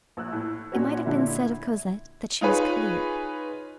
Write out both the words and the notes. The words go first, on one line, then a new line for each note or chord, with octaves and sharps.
It might have been said of Cosette that she was clear.
A#1 E6 F#6
A2
A#2 C#4 F#4 C#5
A#2 D3 E4
E4
D#4 F4 G#4 B4 C#5